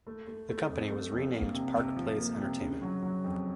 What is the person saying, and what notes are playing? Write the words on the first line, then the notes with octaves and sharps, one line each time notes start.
The company was renamed Park Place Entertainment.
A3
A3
A3
F2
A3
F2
A#3
C3
C3
F3
A#3
C3
C#3
F#3
F#3
F2